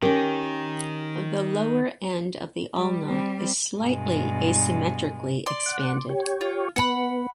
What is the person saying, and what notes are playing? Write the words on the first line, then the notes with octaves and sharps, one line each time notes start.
The lower end of the ulna is slightly asymmetrically expanded.
D#3 C#4 G4 A#4
G3
G3 C4
G2 B2 G#3
D5 C6
F#5
G4 C#5
F4
B3 F#5 B5